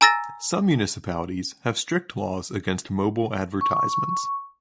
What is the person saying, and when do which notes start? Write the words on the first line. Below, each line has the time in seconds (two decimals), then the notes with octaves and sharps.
Some municipalities have strict laws against mobile advertisements.
0.01 G#5 A#5 E6 A6 A#6
3.61 C#6